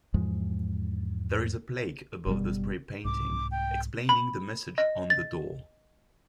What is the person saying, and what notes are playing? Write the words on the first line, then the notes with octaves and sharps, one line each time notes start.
There is a plaque above the spray-painting, explaining the message on the door.
E2 G#2 F3 G#3
F#1 B2 G3
C2 G#2 D6
G5
B5
D#5
A6